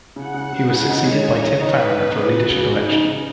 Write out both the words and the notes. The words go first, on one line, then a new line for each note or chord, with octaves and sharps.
He was succeeded by Tim Farron after a leadership election.
C#3 F#5
C#3
C#3
C#3
D#4 C#5
G#3
D#4
D#4
D#4 B4
D#4
B3
C#3
B3 F#4
C#3
C#3 D#4
C#3
C#3